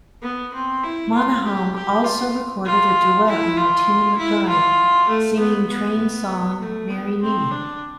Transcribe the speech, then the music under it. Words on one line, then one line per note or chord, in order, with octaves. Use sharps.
Monahan also recorded a duet with Martina McBride, singing Train's song "Marry Me".
B3
C4
E4
F4
G4
G4
F4
F4
E4
F4
E4
F4
A3
B3
B3
A3
B3
C4
D4